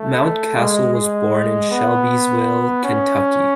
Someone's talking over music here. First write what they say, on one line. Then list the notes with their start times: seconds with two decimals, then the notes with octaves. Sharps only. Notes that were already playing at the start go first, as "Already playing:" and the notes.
Mountcastle was born in Shelbyville, Kentucky.
Already playing: A3
0.56 G#3
0.94 G#3
1.71 B3
2.84 C#4